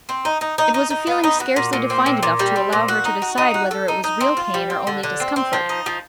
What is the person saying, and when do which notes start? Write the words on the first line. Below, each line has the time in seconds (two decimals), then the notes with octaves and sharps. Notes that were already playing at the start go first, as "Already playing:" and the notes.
It was a feeling scarcely defined enough to allow her to decide whether it was real pain or only discomfort.
0.09 C4
0.25 D#4
0.41 D#4
0.58 D#4
0.74 D#4
0.90 D#4
1.07 B3
1.24 D#4
1.40 F#4
1.56 A#2
1.73 A#2
1.90 C4
2.06 A#2
2.23 A#2
2.39 G3
2.56 C4
2.73 A#2
2.88 F#4
3.05 D#4
3.22 F#4
3.38 D#4
3.54 F#4
3.71 A4
3.88 D#4
4.04 D#4
4.21 C4
4.37 F4
4.54 G3
4.70 C4
4.87 D3
5.03 D3
5.20 C4
5.36 C4
5.53 F3
5.69 D#4
5.86 F3